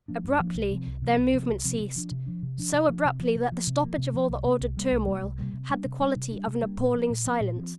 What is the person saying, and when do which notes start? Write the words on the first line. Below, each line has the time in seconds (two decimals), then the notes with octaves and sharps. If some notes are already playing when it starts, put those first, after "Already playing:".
Abruptly their movement ceased--so abruptly that the stoppage of all the ordered turmoil had the quality of appalling silence.
0.08 F3 A#3 D4
0.24 G2
0.40 F3 A#3 D4
0.55 C2
0.71 C3 F3 C4
0.86 C2
1.02 C3 F3 C4
1.17 C2
1.33 C3 F3 C4
1.49 C2
1.64 C3 F3 C4
1.80 C3
1.96 F3 D4
2.11 C3
2.26 F3 D4
2.43 C3
2.58 F3 D4
2.73 C3
2.89 F3 D4
3.05 C3
3.20 F3 A#3
3.35 C3
3.52 F3 A#3
3.67 C3
3.82 F3 A#3
3.98 C3
4.13 F3 A#3
4.29 C2
4.45 C3 G3 A#3
4.61 C2
4.76 C3 G3 A#3
4.91 C2
5.07 C3 G3 A#3
5.23 C2
5.38 C3 G3 A#3
5.53 C3
5.70 G3 A#3 D4
5.85 C3
6.00 G3 A#3 D4
6.16 C3
6.32 G3 A#3 D4
6.47 C3
6.62 G3 A#3 D4
6.78 A#2
6.94 F3 C4
7.10 A#2
7.25 F3 C4
7.41 A#2
7.56 F3 C4